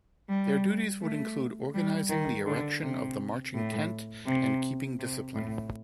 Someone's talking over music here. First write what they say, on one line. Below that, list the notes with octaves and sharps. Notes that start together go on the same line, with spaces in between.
Their duties would include organising the erection of the marching tent and keeping discipline.
G3
A3
G3
D#3
D3
C3
A2
C3
C3
A2